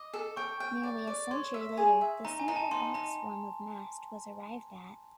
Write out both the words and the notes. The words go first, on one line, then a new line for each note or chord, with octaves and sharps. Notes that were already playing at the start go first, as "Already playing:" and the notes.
Nearly a century later, the simple box form of mast was arrived at.
Already playing: D#5 D6
A4
G5 C#6
G5
D5
D5
C#5 C6
E5
G#4
E5
D#4 A#5
G#5
D#4 A#5
A5
D#4 C6
D#4 A#5